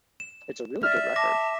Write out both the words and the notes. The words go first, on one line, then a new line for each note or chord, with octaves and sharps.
It's a really good record.
E7
D5 E5 F6
A5 D6 A#6